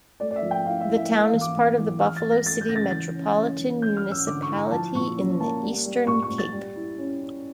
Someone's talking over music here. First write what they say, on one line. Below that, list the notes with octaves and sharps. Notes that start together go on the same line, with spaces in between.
The town is part of the Buffalo City Metropolitan Municipality in the Eastern Cape.
A3 D5
D5
E5
F3
G5
E4 F5
E5
E4
E5
A#3 E5
F5
E3
D6
A#3
E3
E3 F6
A6
A3
A#6
A3 A6
G6
C#3 A#6
A6
E3 A6
C#4
C#4
E3
C#4 G6
F6
C#4
E6
D3 D6
C#6
E4
A#5
F3 A5
A#2 C#6
C#4
A#3 A5
G3
G3
A#2 C#6
C#6
A#2
A6
G3
E4
C#4
E4